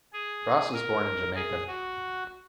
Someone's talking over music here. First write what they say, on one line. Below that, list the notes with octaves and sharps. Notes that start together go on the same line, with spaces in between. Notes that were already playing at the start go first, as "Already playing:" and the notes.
Ross was born in Jamaica.
G#4
A#4
G#4
F#4